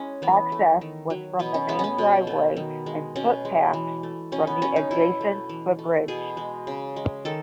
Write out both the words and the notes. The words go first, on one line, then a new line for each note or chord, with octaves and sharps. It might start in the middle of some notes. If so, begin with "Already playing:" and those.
Access was from the main driveway and footpaths from the adjacent footbridge.
Already playing: G#3 C#4 E4
E3 B3
A3
D#3
F#3
B2 B3
C#4
G#3 B3
B3 C#4
B2
A3
D#3
G#3
B2 C#4
G#3
E3
A3
B2 C#4
B3
F#3 C#4
D#4
B2 E4
A3
E3
A3
B2 G#4
G#3
C#3
G#3
D#3 A4